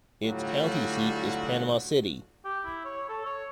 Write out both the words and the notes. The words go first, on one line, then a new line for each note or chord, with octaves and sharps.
Its county seat is Panama City.
A2 D3 F#3 G3 F4 F#4
G4
E4
C#5
A4
C#5